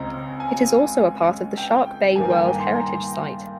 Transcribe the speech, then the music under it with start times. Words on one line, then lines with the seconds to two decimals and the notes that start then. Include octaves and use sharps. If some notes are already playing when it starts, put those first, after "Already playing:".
It is also a part of the Shark Bay World Heritage Site.
Already playing: C#2 C#3 G#3 C4 A#5
0.40 G#5
1.58 G5
2.16 G2 D#3 A#3 G#5
2.30 G5
2.45 G#5
2.60 C6
2.75 A#5